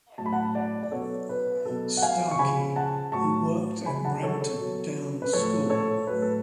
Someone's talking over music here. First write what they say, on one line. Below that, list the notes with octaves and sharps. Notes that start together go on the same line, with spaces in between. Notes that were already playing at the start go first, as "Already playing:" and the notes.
Starkey who worked at Brampton Down School.
A2 F#3 A5
B5
F#5 A5
D5 F#5
D5
B2 F#3 A4 C#5
B4
B2 F#3 A4
F#5
F5 G#5
C#6
C#3 F3 G#5 B5
F#5 A5
A2 F#3 A5 C#6
C#3 F#3 G#5 B5
F#5 A5
A4 C#5
A4 C#5
B2 F#3
B4
A2 F3 A4 C#5
A4 C#5
A2 F#3 B4
A4